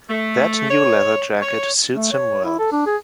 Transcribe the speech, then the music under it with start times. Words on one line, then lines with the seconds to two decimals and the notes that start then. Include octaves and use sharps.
That new leather jacket suits him well.
0.09 A3
0.69 C#5
1.41 C#5
1.95 A3
2.12 C#5
2.45 E4
2.59 A4
2.72 D4
2.87 G#4